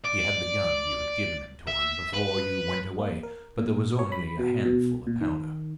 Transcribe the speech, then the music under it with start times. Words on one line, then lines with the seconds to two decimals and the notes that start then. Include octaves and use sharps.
He had the gun you had given him, Tuan, before you went away, but there was only a handful of powder.
0.04 D5
1.67 E5
2.13 B4
2.99 A#3
3.23 A#4
3.58 A#2
3.99 C#5
4.12 B5
4.39 B2
4.65 B2
5.07 A#2
5.21 D#3